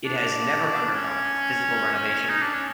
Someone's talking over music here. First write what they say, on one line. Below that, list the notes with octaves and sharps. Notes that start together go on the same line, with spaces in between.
It has never undergone a physical renovation.
D4
C#4
D#4
D4
C#4